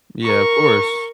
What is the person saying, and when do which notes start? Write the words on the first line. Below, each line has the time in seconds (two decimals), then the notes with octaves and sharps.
Yeah, of course.
0.23 A#4 C#6